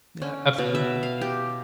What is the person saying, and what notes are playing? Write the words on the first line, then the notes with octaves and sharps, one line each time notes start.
Yeah, absolutely, yeah.
C#4
B2
E5
F5
G4